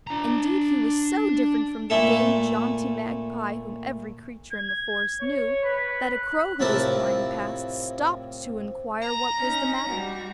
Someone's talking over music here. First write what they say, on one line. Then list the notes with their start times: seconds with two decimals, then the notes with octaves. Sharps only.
Indeed he was so different from the gay, jaunty magpie whom every creature in the forest knew, that a crow who was flying past, stopped to inquire what was the matter.
0.07 D4 A#5
1.90 A#2 A3 E4 A4
4.53 G#6
5.22 C#5
5.65 B4
6.14 F#6
6.60 A2 C3 F3 E4 A#4 A5
9.02 A#5
9.37 C#4 D#4
9.86 G3 F#4